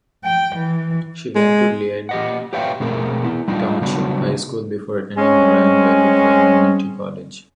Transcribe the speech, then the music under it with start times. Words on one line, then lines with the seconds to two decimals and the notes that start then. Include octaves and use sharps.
He went to Leyden Township High School before attending Moraine Valley Community College.
0.24 G5
0.55 E3
1.36 G#3
2.09 G4 D#5 F#5
2.53 G4 B4 C#5 E5 F5 G5
2.80 B2 A3 C4 G#4 A#4
3.24 B3 E4
3.48 G3 D4 D#4 F4
3.82 C#3 F#3 G3 B3 D4
5.17 G#3 C4 C#4